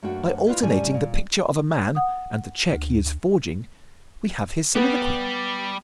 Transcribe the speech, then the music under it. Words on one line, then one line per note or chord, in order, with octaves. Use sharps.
By alternating the picture of a man and the check he is forging, we have his soliloquy.
F#2 A3 A#3 D4 F#4 G5
E4 F4 G#4 B4 D5 E5
A2 D3 G3 C#4 D5 G#5
A#2
F#5 D#6
D2
G3 B3 G4